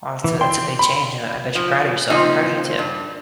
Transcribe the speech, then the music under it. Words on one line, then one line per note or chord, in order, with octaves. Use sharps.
Well, that's a that's a big change. I I bet you're proud of yourself. I'm proud of you too.
E3
G5 C6
B5
F3
A#2 C#3 F3 C4 D#4
G2